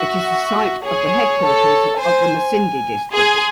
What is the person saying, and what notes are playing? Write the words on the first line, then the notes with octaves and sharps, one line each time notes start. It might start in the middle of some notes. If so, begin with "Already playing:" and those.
It is the site of the headquarters of the Masindi District.
Already playing: F#4 E5
G#4 C#5
A4
C5 G#5
G#4 C6